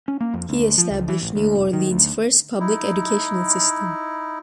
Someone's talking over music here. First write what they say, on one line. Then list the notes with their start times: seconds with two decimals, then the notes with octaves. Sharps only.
He established New Orleans' first public educational system.
0.08 C#4
0.21 A#3
0.34 F2
0.49 D2
0.78 F3
0.91 C#2
1.08 E3
1.22 A1
1.35 D2
1.55 F1
1.73 D#3
1.90 D2
2.60 D#4 E4